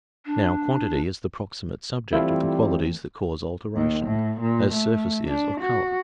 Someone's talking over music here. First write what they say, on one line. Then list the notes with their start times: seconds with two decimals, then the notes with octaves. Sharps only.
Now quantity is the proximate subject of the qualities that cause alteration, as surface is of color.
0.26 D4
2.13 E3 G3 A3 C4 E4 F4 A4 A5
3.76 D#2
4.06 A2
4.41 A#2
4.73 A3
5.27 D4
5.61 F#4